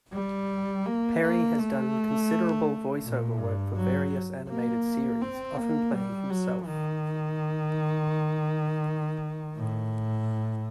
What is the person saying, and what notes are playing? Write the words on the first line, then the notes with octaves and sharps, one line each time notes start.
Perry has done considerable voice-over work for various animated series, often playing himself.
G3
A#3
A#3
A3
A#2
G2
F#3
A#3
C4
A#3
G3
F#3
D#3
A2